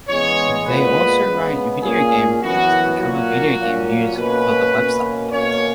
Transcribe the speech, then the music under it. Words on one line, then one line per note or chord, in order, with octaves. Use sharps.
They also write video game reviews and cover video game news for the website.
E2 C#3 G#3 B3 C#5
A#2 G#3 B3 B4
C#3 G#3 B3
A#2 A#3 C#4 G#4
F#2 E3 B3 F#4
A#2 F#3 A#3 C#4 F#4
A#2 F#3 A#3 C#4
B2 A#3 C#4 B4
B2 A#3 C#4
B2 A#3 C#4 C#5